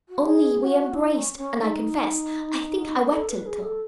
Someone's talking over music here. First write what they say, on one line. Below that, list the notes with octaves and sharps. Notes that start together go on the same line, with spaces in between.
Only we embraced, and I confess, I think I wept a little.
F#4
G#4
G#4
F#4
E4
C#4
C#4
D#4
C#4
A4
B4
G#4
A4